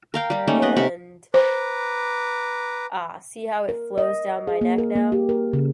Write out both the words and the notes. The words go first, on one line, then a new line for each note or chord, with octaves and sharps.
And — ah, see how it flows down my neck now!
A#4 F5 G5
G3 G4
A3 A#3 C#4 D#4
B3 B4 D#5
C3 A#4 B5 C#6
B4 C5 A#5 D6
A#4
D#5
G#4
A#3
A#4
A#3
G4
A#4
C#3